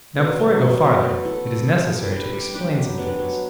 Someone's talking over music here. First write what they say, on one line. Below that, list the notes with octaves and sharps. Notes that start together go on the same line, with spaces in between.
Now, before I go farther, it is necessary to explain some things.
B2
F#3 B3
B2
F#3 B3
A3
E4 A4
A3
E4 A4
G3
D4 G4 B4
G3
D4 G4 B4
F#3
B3 D4 G4
F#3